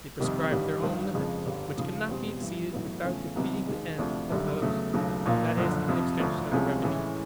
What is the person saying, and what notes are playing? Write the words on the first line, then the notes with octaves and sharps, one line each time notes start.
They prescribe their own limit; which cannot be exceeded without defeating the end proposed, that is, an extension of the revenue.
F2 C3 D#3 G3
A1 G2 D#3 G3
G1 G2 D#3
F2 C#3 F3 G#3
G1 G2 D3 G3
D#2 C#3 F3
E2 B2 G3 C4
G2 E3 G3
A1 A2 F#3 B3
E2 C#3 F3 A3 C#4
C2 C3 D#3 F#3 B3
E1 D#2 D#3 G#3
D2 C3 F3 A3 D4
G#1 F#2 D3 G3
E2 C#3 F#3 A3
E1 D#2 C#3 F#3 A3
B1 A#2 F3 A#3
F#1 F#2 D3 F3
F2 C3 F3
E1 D2 D3 F3 A3
C2 C3 F3 G#3 C#4
A2 E3 G#3 C#4